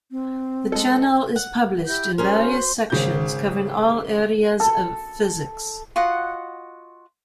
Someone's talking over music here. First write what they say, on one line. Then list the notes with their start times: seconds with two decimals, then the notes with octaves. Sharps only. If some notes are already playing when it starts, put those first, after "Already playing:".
The journal is published in various sections, covering all areas of physics.
0.11 C4
0.72 G#3 A4
1.36 F#5
1.87 E4 G4 G6
2.18 C#4 F#4 G#4 A#4 C5 C6
2.90 G#1 C#3 G6
4.60 A4
5.96 F4 F#4 D#5 F#5